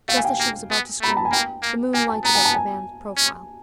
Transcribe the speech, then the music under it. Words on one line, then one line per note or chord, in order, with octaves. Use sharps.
Just as she was about to scream, the moon lighted up the man's profile.
A3 F5
G#5
G5
A#3
B3
A3 B5
A#5
A5
G#5
A#3 G5
A#3
A#3 G#5
A5
B3 A#5
G#5
A5
G#5
C#4